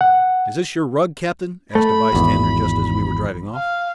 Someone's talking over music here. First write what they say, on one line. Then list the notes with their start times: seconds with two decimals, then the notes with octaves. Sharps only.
"Is this your rug, captain?" asked a bystander just as we were driving off.
0.01 F#5
1.75 A3 B5
2.13 G#1 E2
3.56 F5